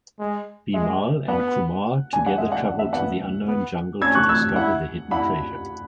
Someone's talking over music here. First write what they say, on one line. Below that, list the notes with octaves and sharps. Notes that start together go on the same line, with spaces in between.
Bimal and Kumar together travel to the unknown jungle to discover the hidden treasure.
G#3
G#3 E5
B3 F#5
G#5
F#5
G#3 E5
F#5
F#5
E5
B3 F#5
B3
C#4 E6 G#6
C#6 F#6
E6 G#6
E4 F#5
E4 F#5 B5